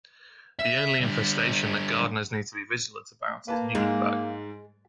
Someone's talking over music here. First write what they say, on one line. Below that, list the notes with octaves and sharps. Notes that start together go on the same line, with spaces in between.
The only infestation that gardeners need to be vigilant about is mealybug.
E5
D3 G3
A#3 B4 A5
G#2 G#3